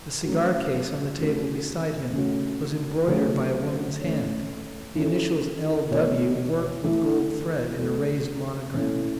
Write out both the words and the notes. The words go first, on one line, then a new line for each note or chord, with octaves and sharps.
The cigar-case on the table beside him was embroidered by a woman's hand, the initials L. W. worked with gold thread in a raised monogram.
F#3 A3 C#4 F#4
E3 A3 C#4 F#4 A4
C#3 A3 C#4 F#4
C#3 F#3 A3 C#4 F#4
A3 C#4 A4 C#5
E3 C#4 F#4 A4
B2 A3 F#4 C#5
E3 A3 E4
A3 F#4 A4
A2 E3 C#4 E4 A4